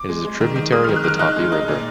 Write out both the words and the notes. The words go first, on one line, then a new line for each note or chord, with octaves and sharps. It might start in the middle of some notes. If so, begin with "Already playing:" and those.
It is a tributary of the Tapi River.
Already playing: D6
G#3
G#3
D#3
D#3
G#3 D#6
D#3 F6
F#6
D#3 F6
D#4 F#6
G#3
D#4
A#2